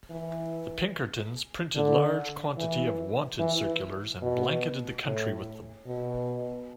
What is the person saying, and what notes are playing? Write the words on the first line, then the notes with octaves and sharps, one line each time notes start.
The Pinkerton's printed large quantity of "Wanted" circulars and blanketed the country with them.
E3
D3
E3
E3
B2
A2
B2